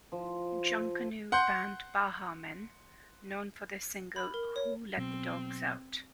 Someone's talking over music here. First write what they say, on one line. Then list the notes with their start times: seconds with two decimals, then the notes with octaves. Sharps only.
Junkanoo band Baha Men, known for their single Who Let the Dogs Out?
0.12 F3
1.32 F#5 C6 G6
4.16 B5
4.34 A#4
4.56 C#5
4.97 B2 F#3 C4